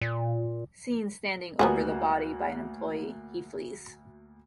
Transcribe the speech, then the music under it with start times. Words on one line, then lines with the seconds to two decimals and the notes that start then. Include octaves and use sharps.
Seen standing over the body by an employee, he flees.
0.01 A#2
1.59 D2 G3 A#3 B3 F#4 G#4